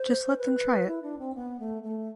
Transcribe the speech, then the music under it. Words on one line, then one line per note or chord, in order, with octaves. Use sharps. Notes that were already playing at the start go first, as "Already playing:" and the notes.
Just let them try it.
Already playing: C5
B4
E4
D4
C4
B3
A3
A3